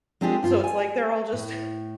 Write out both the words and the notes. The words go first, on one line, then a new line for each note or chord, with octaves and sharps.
So it's like they're all just
G#3 C4 D4 F4 G4 G#4
G2 F4
G#5
A2